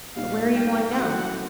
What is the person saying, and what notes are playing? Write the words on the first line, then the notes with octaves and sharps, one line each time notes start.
'But where are you going now?
A#2 G3 B3 D#4 F5
G5
F#3 A3 C#4 E4 F#5